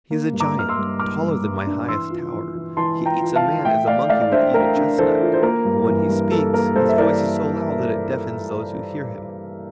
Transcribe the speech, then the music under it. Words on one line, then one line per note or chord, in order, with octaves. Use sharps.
He is a giant, taller than my highest tower, he eats a man as a monkey would eat a chestnut, and when he speaks, his voice is so loud that it deafens those who hear him.
A#3
G2
A#5 D6
G2 F6
C6 E6
G2
A#3 D6 F6
G2
G2
D4
E3 C6 E6
F4
E3
E3
E3 A5 C6
F4
G5 A#5
F4
F5 A5
E3
A3 E5 G5
A3 D5 F5
A3 D5 F5
D5
D4 C5 E5
A3 A#4
D4
E3 A4 C5
F4
C5
A#3 A#4
G2
E3
G2
A#3 A4
A#3 A#4
G2 A4 C5
E5
E3 A#4 D5